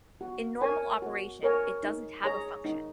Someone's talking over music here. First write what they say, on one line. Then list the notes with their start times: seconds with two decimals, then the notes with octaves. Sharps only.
In normal operation it doesn't have a function.
0.21 F#4
0.61 A#4 C#5 G#5
1.02 F#4
1.43 A#4 C#5 G#5
1.83 D#4
2.24 G#4 C#5 A#5
2.65 D#4